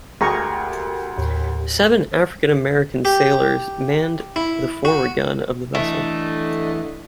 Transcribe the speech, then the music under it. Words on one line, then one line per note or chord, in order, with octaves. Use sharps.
Seven African-American sailors manned the forward gun of the vessel.
D2 G4 G#4 A#4 G#5 A#5 C#6
D#2 A2
G4
E4
F#4
D3 E3 A3 E4 D#5